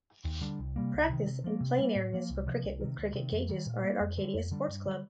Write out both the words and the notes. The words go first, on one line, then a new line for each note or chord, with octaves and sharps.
Practice and playing areas for cricket with cricket cages are at Arcadia Sports Club.
D#2
D3 G3 D4
C2
C3 G3 A#3
C2
C3 D#3
C3
F3 A#3
C3
G3 A#3
A2
F3 A#3
C2
C3 F3
C2
C3 D#3
D2
C3 D#3
F2
D#3 G3
A#2
G3 A#3
F2
D3 G3
F2
D3 G3 D4
G2
D3 G3